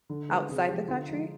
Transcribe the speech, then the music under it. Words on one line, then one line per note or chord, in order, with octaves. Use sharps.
outside the country?
D3
G#3 B4
C3 G#4
F3 G#3 G4
D3 F4
F3 G#3 D#4